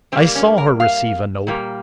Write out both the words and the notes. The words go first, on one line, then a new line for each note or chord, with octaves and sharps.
'I saw her receive a note.
G2 G3 A#3 C4
C#4
A#4
F5
A#2 G3 A#3